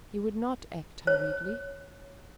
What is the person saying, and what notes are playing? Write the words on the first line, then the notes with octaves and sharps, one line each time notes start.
He would not act hurriedly.
C#5